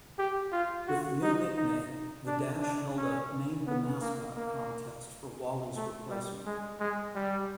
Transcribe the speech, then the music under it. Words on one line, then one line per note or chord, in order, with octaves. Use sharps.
With the new nickname, the Dash held a name-the-mascot contest for Wally's replacement.
G4
F4
F#4
D#4
D#4
D4
D4
C#4
B3
A#3
A#3
A3
G3
G#3
G#3
G3